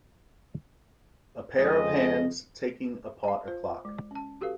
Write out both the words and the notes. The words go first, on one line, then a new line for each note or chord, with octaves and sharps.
A pair of hands taking apart a clock.
F2 C#3 G#3 C4 D#5
F5 A5
F4 C5
G#3
C#4 A5
F#4 G4 A4 B4 F5